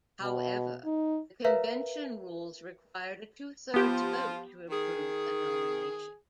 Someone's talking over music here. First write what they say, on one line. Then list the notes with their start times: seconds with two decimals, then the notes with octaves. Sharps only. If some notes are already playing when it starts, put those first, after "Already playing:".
However, the convention rules required a two-thirds vote to approve a nomination.
0.23 B2
0.85 D#4
1.44 A#4 B4 C#5 E5 F5 A#5
3.74 F3 B3 F4 G4
4.70 D#3 G#4